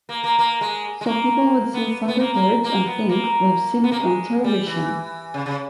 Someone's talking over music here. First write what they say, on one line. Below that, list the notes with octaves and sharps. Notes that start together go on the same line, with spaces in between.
So people would see "Thunderbirds" and think, 'We've seen it on television.
A#3
A#3
A#3
G#3
G#3
A#3
B3
B3
A#3
A#3
A#3
B3
A#3
B3
A#3
G#3
G3
E3
C#3
C#3